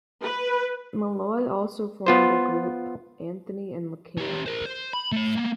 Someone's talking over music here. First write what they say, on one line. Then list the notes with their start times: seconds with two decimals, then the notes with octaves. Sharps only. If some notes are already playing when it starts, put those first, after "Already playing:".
Malloy also formed the group Anthony and the Camp.
0.22 B4
2.06 B3 F4 C5
4.18 C#4 G4
4.46 A#4 C5
4.65 C5
4.93 B5
5.12 A3 B5
5.36 A#3 B3